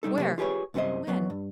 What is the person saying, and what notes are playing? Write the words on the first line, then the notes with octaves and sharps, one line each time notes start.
"Where? When?"
B1 G3 D#4 A4
C3 F#3 A#3 G4 C5
F4 G4 G#4 B4 C#5
C2 F#2 C3 F#4 C5 D#5
F2 F#3 B3
G2